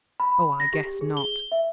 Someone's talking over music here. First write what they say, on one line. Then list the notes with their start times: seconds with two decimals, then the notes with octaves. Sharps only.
Oh, I guess not.
0.20 B5
0.60 A#6
0.74 G4
1.01 G#4
1.17 G7
1.52 E5